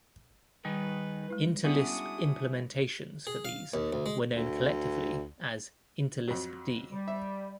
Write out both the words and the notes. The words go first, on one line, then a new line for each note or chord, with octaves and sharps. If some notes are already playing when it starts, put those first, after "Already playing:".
Interlisp implementations for these were known collectively as Interlisp-D.
D#3 G3 D#4 G#4 B4
G#3 E4 B4
B3 C#4 D4 E4 F#4 G#4 D#6
G#4
F5
D#2
D2
G#3
D2
F2 F#3
G3
E5